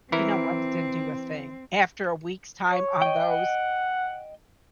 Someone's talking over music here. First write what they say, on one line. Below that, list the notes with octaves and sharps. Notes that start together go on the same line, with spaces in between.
You know what, it didn't do a thing. After a week's time on those,
E3 C4 E4 A#4
C#5
D#5 G5
F#5